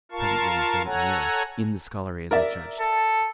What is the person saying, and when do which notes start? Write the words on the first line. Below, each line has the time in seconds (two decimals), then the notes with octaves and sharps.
Presently I heard it nearer--in the scullery, as I judged.
0.12 F4 A#4 F5 A5 C#6
0.85 A4 C#5 F#5 G#5 A#5
2.31 A#4 D5 E5
2.80 A4